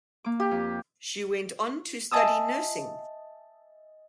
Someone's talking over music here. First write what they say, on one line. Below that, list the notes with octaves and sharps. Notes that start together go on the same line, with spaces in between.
She went on to study nursing.
A#3 D6
G4
F2
D#5 E5 G#5 A5 D#6 E6